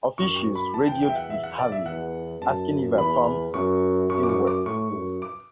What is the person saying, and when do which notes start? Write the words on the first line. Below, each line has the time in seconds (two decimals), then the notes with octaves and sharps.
Officials radioed the "Harvey," asking if her pumps still worked.
0.18 F#2 C#6
0.36 C#6
0.55 B5
0.74 E2 A5
0.88 G5
1.03 G5
1.09 E5
1.16 F#5
1.30 E5
1.44 F#5
1.59 D5
1.72 E5
1.86 E2 F#5
2.42 F#2 A5
2.98 E2 B5
3.54 F#2 C#6
4.10 F#2 C#6
4.23 D6
4.29 C#6
4.47 D6
4.66 A2 C#6
4.94 F#2
5.22 D6